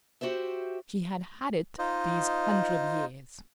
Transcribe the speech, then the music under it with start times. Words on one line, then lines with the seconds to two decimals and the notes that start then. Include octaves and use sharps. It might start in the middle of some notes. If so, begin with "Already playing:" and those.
She had had it these hundred years.
0.21 F#4 G4 C5 E5
1.79 D#4 F4 C5 D#5